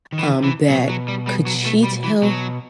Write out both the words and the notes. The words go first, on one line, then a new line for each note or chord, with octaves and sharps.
um, that could she tell h
D#3
E3
C3
E3
B2 F#3
F#3
G3
G3
F#3
A3
G3
E3
B2 F#3